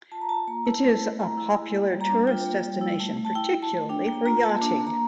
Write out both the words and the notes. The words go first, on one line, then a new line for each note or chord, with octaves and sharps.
It is a popular tourist destination, particularly for yachting.
F4 A5
A#5
F4 A5
A#3 A#5
E4 A5
A3
A3
E4 A#5
E4
A3
A#3
G3
A#5
D4
F4 G5
A#3
G3
E4
A3
A3
A5
E4 G5
E4
A5
A3
D4 G5
A#3 G5
F4 A#5
A#3 A5
D4
A#3
A#5